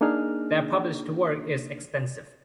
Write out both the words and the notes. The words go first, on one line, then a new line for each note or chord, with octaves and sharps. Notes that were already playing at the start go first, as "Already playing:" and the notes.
Their published work is extensive.
A#3 D4 D#4 G#4 F6